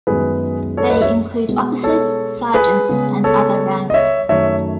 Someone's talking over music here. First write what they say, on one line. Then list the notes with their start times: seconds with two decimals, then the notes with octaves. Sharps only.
They include officers, sergeants and other ranks.
0.07 F#2 D#3 G#3 B3 G#4 B4
0.77 A4 C#5
0.89 B4 D#5
1.01 C#5 E5
1.48 B2 G#3 B3
1.83 A4 C#5
2.54 G#4 B4
2.89 C#3 G#3 B3
3.24 A4 C#5
3.90 D#5
3.94 C#5 E5
4.29 F#2 D#3 A3 C#5 E5